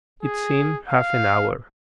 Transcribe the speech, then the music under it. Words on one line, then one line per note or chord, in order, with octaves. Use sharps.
It seemed half an hour.
G#4
F5